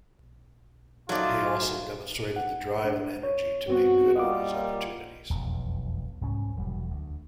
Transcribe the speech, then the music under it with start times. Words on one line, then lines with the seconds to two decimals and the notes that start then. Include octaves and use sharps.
He also demonstrated the drive and energy to make good on his opportunities.
1.09 F#3 A3 D#4 F4 D5
2.36 F#5
2.85 D4
3.23 C#5
3.68 G2 B3 C4 F#4
4.16 G3 A#3 F4 D#5 F#5 D6
5.30 E1 B1 F2
6.21 C2 G#2 C#4
6.56 E1 F#3 G3
6.90 D2